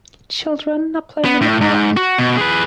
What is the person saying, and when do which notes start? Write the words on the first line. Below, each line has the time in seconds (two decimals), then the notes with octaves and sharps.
Children are playing in the park.
1.25 B3
1.41 A2
1.61 G#2
1.97 F#4
2.18 B2
2.37 G#4 B4